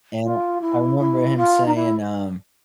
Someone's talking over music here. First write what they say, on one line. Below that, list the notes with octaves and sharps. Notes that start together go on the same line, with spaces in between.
and I I remember him saying, um,
F4
E4
E4
F4
D#4
E4